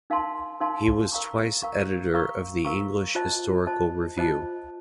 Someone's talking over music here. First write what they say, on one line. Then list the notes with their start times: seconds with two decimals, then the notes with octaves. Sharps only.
He was twice editor of the "English Historical Review".
0.10 D#4 A#4 F5 A5 C6
0.60 D#4 A#4 F5 A5 C6
1.12 A#4 F5 A#5 C#6
1.62 A#4 F5 A#5 C#6
2.14 A#4 F5 A#5 C#6
2.65 A#4 F5 A#5 C#6
3.15 F4 C5 D#5 A5
3.67 F4 C5 D#5 A5
4.17 F4 C5 D#5 A5